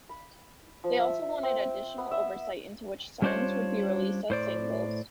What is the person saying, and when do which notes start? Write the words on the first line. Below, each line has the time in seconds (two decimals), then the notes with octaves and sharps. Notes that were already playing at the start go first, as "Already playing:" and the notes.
They also wanted additional oversight into which songs would be released as singles.
0.09 B5
0.84 F3
1.00 E5
1.43 C4
1.98 B3
2.11 E5
3.22 G3 C#4 D4 F4 C5 C#5
4.30 A2 C5 D5